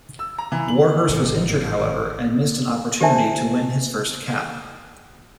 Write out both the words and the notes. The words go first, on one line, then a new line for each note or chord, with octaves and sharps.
Warhurst was injured, however, and missed an opportunity to win his first cap.
E6
A#5
E3
F#7
G#1 A2 C3
G4 C5 D5 E5 G#5 A5